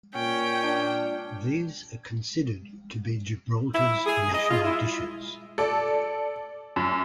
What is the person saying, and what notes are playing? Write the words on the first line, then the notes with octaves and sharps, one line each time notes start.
These are considered to be Gibraltar's national dishes.
A#2 C#4 G5
D4
E4
G#4
D#5
F4
E4
A4 D5
F#2